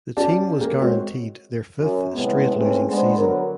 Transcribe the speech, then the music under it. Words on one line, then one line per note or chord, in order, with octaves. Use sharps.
The team was guaranteed their fifth straight losing season.
C#4 F#4 G4 D5 A5
A#3 G4 G#4
G#3 C4 F#4 C#5
F#2
F#2 A2 C3 G#3 B3
A2 G#3 A3 C4 C#4 B4
G#3 B3 D4 B4 C5
D3 F#3 B3 A#4